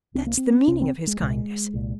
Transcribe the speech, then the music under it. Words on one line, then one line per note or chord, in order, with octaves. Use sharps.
That's the meaning of his kindness.
C2 C3 C4
A#3
C4
C2 C3 C#4
C4
G#3
C2 A#2 G#3
C2 A#2